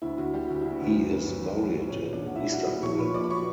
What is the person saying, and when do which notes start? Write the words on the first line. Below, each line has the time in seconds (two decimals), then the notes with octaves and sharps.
He is buried in Istanbul.
0.02 D2 E4
0.17 D2 F#4
0.34 G3 G4
0.48 D2 F#4
0.61 E4
0.65 D2
0.72 F#4
0.80 D2 B3 B4
0.96 F#2
1.11 G1
1.28 F#2
1.42 F#2
1.59 E3
1.74 G1
1.89 A#2 C#4 C#5
2.05 A#2
2.12 D4 D5
2.21 A#2
2.26 F#5
2.36 B1 E4 E5
2.52 G3 F#4 F#5
2.67 G3
2.82 A#1 C#5 C#6
2.98 A#2 B4 B5
3.14 A#1 D5 D6
3.24 B5
3.30 F#3 C#5 C#6